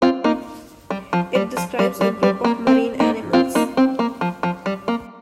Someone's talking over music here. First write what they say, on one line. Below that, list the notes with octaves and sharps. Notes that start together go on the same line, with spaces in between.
It describes a group of marine animals.
C4 F4
A#3 D#4
G3
F3
G3
F3
G3
G3
G3
A#3
C4
A#3 D#4
C4 F4
A#3 D#4
C4
A#3
F3
F3
G3
A#3